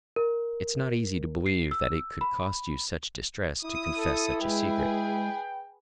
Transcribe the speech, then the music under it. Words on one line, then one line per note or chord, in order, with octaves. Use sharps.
It's not easy to believe that it could cost you such distress to confess such a secret....
A#4
C7
E6
B5
E4 D#6
A4
G#3 G#4 B4 G5